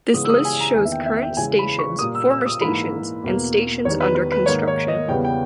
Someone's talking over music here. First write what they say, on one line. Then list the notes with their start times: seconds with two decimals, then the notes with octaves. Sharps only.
This list shows current stations, former stations and stations under construction.
0.13 C#3 E3 G#3 B3 D#6
0.24 E6
0.29 D#6
0.45 G#5
0.60 A#5
0.76 E2 D#3 A#3 G#5
0.85 E5
0.92 G5
1.06 E5
1.22 G5
1.37 C#3 E3 G#3 G#5
1.59 B5
1.79 C#6
1.99 A#2 G3 A#3 D#6
2.15 E6
2.30 E6
2.46 D#6
2.61 G#2 E3 A#3 B5
3.24 E2 B2 A#3
3.85 E2 D#3 G3 C#5
4.00 B4
4.15 B4
4.32 B4
4.46 G#2 D#3 A#3 C#5
4.67 C#5
4.88 D#5
5.08 E2 C#3 G3 B3 G5
5.24 G5